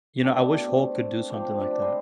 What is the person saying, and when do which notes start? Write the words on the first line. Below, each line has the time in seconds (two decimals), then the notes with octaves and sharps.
You know, I wish Hulk could do something like that.
0.22 B2 A3 D4 G5
0.68 C4
1.30 F3 G5 D6
1.60 D4 G4 D5
1.82 G#3 E4 C5 D#5